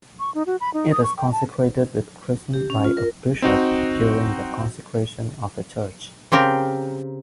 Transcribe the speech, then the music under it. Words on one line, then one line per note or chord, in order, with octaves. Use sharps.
It is consecrated with chrism by a bishop during the consecration of a church.
C#6
D#4
F#4
B5
D#4
D#6
C#6
G5
A5
G4
C#4
F4
A#4
C4 D#4 F#4
C#3 C4 G4 A#4